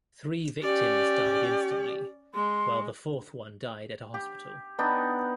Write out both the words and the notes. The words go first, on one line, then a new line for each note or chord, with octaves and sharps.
Three victims died instantly, while the fourth one died at a hospital.
C#4 G4 D5
G#3 C6
G4
B3 D4 D#4 G5